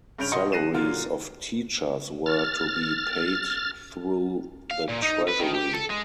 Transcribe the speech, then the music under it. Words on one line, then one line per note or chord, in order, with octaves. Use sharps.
Salaries of teachers were to be paid through the treasury.
G2 C#3 C#4 G6 D7 F7
E1 F#4 D#5 C6 C#7
F#6 A#6 C7 D#7 E7
A#2 D3 F#3 F4
F6 A6
F5
A#2
D#4
B4
D#3
G4
A4
G#3